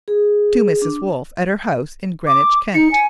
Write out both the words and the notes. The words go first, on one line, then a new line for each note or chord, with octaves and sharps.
To Mrs. Wolfe, at her house in Greenwich, Kent.
G#4
D4
D6
D#4 C#7
G#5